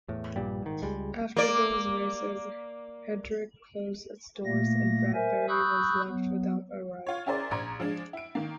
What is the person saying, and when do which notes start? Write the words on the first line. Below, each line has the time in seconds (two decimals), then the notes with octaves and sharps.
After those races, Hedrick closed its doors and Bradberry was left without a ride.
0.08 E2 A2
0.36 A#1 G2 A#2 G3
0.62 G#2 D#3
0.82 C#2 G3 G#3
1.36 A#3 D5
4.45 A#2 A3 A#3 A#6
5.14 A#4 C5 E5 G#5
5.49 B5 C#6 D#6 E6 F#6 G6
6.08 F#3 B3
7.07 F4 C#5
7.26 C#4 E4 G#4 A#4 C5 D5
7.51 A#1 A#5 C6 G#6
7.80 F3 G#3 D4
8.13 E4 D7
8.35 D#3 A#3